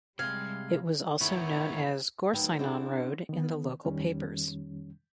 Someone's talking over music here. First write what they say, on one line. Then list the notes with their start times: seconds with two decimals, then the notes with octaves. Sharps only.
It was also known as Gorseinon Road in the local papers.
0.19 C3 G3 G#3 F5 G#6
1.21 D#3 B3 E4 C#5
2.33 D2 D#3 F#3 B4 G5
2.59 C4 D4 E4 F#4 G#4 A4
3.29 D#3 B3
3.85 F2 D#3 G3 C#4